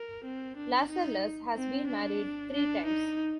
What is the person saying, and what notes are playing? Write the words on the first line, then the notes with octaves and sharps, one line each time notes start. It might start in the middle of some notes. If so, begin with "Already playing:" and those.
Lascelles has been married three times.
Already playing: A#4
C4
D4
D#4
C4
D4
D4
D#4